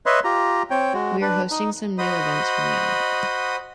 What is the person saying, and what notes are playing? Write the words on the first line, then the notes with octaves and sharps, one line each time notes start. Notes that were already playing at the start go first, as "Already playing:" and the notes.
We are hosting some new events from now.
B4 C#5 D#5 E5 C6
F4 G4 A#5
C4 C#5 G5
G#3 F#4
D4 B4
D#4
F#4 C5 D#5 B5 D#6